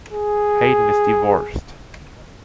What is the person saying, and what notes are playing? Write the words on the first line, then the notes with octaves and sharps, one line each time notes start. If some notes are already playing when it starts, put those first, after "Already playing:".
Hayden is divorced.
G#4